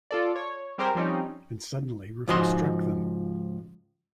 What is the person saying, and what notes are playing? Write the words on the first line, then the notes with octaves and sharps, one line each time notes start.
And suddenly Rupert struck them.
F4 A4 D5
C#5
G3 C4 G4 G#4 A#4 C5
F3 G3 C4 C#4 D#4
C#2 G#2 F3 F#4 D#5 C6